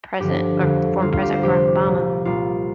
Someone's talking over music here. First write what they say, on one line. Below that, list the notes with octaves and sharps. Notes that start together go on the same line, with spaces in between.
President or former President Barack Obama
G2 D3 F3 G4
F2 D3 G3
D2 D3 G3 F4
F4
G4
C5
F2 C3 F3 G4
C2 A#2 G3
C2 A#2 G3 F4